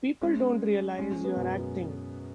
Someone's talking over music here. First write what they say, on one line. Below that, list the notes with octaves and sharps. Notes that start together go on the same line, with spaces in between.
People don't realize you're acting.
G#3 C#4
G#3 C#4
G#3 C#4
F#3 B3
F#2 B2